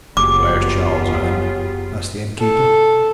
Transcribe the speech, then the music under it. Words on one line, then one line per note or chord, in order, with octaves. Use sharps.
"Where is Charles, Ann?" asked the innkeeper.
F#1 F#3 B3 F4 G4 G#4 D6
A4